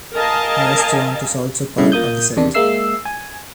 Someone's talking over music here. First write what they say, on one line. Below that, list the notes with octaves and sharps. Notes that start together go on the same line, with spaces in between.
A restaurant is also part of the set.
A#4 D#5 F5 G#5 A5
G2 C#3 A3 E4
A#2 A#3 D#6 G6
E2 C3 D#3 D4
G#3 A#3 E5 E6 C7
G#5